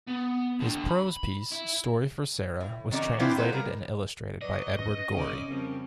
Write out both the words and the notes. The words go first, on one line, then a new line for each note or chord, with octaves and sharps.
His prose piece "Story for Sara" was translated and illustrated by Edward Gorey.
B3
D#2 D3
B5
E4
A2
D#3 F#3 C#4 D#4 D5
A#2 E3 C4 D4 E4 F4
F#3 G#3 A4 B4 C5 F5
G3 A#4
F#3 B4 D5 D#5
C#4 A#6
C#3 C#4 D#4 D5
F2 C#3 G3 A#4